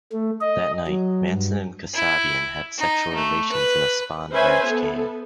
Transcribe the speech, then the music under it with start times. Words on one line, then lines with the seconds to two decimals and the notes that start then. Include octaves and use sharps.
That night, Manson and Kasabian had sexual relations in a Spahn Ranch cave.
0.12 A3
0.41 D#5
0.87 F#3
1.29 G2
1.94 E4
2.78 D#4
3.15 A3
3.52 B4
4.33 C#4 B4 C5 E5 G#5
4.66 B3 A4